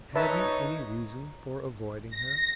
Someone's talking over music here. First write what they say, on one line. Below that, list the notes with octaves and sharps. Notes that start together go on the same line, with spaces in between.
Had he any reason for avoiding her?
D#4 B4 C#5 E5 A5
A#6